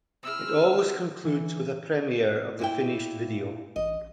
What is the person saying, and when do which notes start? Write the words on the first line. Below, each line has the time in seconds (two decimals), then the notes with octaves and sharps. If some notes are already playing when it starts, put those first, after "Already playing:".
It always concludes with a premiere of the finished video.
0.23 C4 E4 G#4 E6 F6
1.25 E3
2.59 A#2 E4 G5
3.76 A1 D#5